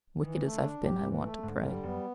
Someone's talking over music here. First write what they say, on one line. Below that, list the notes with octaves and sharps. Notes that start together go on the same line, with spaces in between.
Wicked as I've been, I want to pray.
D#3 E3
A3
D3
D4
G#2 G4
E3
A3
G#2 D3
G2 G3
F#2 B3